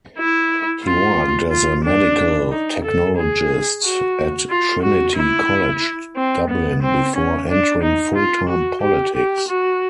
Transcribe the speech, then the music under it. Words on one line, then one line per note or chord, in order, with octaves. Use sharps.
He worked as a Medical Technologist at Trinity College, Dublin before entering full-time politics.
E4
F4
F4
D4
D#4
A4
G#4
F#4
F4
F#4
E4
C4
B3
C4
C#4
D4
D#4
F4
F#4
G4
G4
F#4